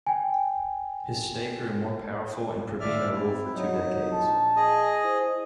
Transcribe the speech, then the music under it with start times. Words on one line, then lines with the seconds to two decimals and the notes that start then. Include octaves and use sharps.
His state grew powerful and Pribina ruled for two decades.
0.07 G5 G#5
2.80 D#2 D5 E5 F6
3.12 C4 E4
3.54 F#3 D#4
4.12 A#1 A5
4.56 G#4 D#5
5.02 E4 C5